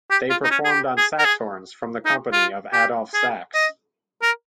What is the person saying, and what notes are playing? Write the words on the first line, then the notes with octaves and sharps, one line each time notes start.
They performed on Saxhorns from the company of Adolph Sax.
G4
F4
D#4
C#4
G#4
G4
G#4
A#4
G#4
D#4
F4
G4
G#4
D#5
A#4